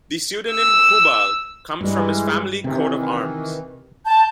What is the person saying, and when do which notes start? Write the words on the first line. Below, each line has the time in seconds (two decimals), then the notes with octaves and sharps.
The pseudonym "Hubal" comes from his family coat of arms.
0.52 E6
1.81 G2 E3 G3 G#3
2.64 C3 D#3 E3
4.05 A5 G6